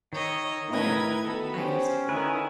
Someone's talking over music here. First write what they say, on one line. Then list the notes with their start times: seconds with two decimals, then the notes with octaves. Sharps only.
"Where?" I asked.
0.13 D#3 C#5 D#5 E6
0.70 A2 E4 A#4 B4 D#5 G#6
1.24 B3 F#4 A4 B5
1.57 C#4 G4 C5
2.09 D3 D#3 E4 B4 G#5